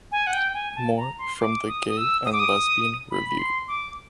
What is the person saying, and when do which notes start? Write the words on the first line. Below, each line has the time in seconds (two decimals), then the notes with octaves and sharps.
More from The Gay and Lesbian Review.
0.12 G#5
0.27 F#5
0.33 G5
0.54 G#5
0.76 A5
0.97 A#5
1.19 C6
1.40 D6
1.68 D#6
1.88 D#6
1.97 E6
2.25 D#6
2.33 D6
2.39 D#6
3.11 B5
3.30 B5
3.39 C6
3.68 D6